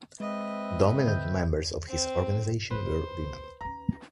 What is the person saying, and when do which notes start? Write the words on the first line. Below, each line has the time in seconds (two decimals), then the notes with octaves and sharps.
Dominant members of his organization were women.
0.20 G#3 C4 B4 D#5 E5
1.08 D3 G6
1.88 C4
2.71 G#2 E4 B4 C5
2.85 D2
3.61 D#2 C#4 A#5